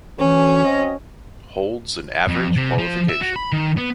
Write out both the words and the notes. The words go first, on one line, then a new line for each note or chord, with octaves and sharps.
Holds an average qualification.
D2 E3 C#4
F#3 C4 D#5
F2
C3
F3
E5
F#4
B5
D#3
B3